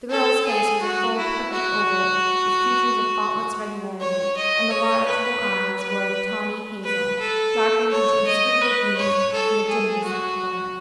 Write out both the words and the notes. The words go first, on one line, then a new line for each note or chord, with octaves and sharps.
The girl's face was a full, perfect oval, with features of faultless regularity, and the large, full eyes were of tawny hazel, darkened into inscrutable gloom in the dimness of the corner.
A4
G#4
F#4
E4
F#4
C#5
D#5
C#5
B4
B4
B4
A4
C#5
D#5
B4
C#5
A4
G#4
F#4